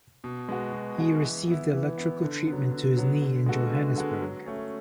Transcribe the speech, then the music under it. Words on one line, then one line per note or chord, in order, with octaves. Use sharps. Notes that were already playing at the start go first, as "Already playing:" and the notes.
He received electrical treatment to his knee in Johannesburg.
B2
G#3 B3 F#4
B2
G#3 B3 F#4
E3
B3 E4
E3
B3 E4
D3
B3
F#3
D3
F#3 B3
D3
G#3 B3 F#4 A4
D3
G#3 B3 F#4 A4
F#3
A3 C#4